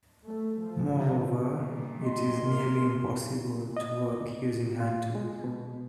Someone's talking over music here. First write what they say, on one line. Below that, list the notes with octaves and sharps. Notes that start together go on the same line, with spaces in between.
Moreover, it is nearly impossible to work using hand tools.
A3
F3
G2 A#2
D#5 C6
A#4
D#5
D2
F4
G#3
B2